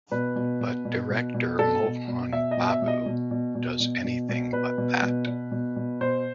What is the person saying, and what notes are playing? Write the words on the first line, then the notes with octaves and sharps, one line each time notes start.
But director Mohan Babu does anything but that.
B2 B4
B2
B2
B2
B2
B2
B2 A4
B2
B2
B2 E5
D#5
B2
E5
B2
D#5
B2
B2
B2
B2
B2
B2
B2 B4
B2
B2
B2
B2
B2
B2 C5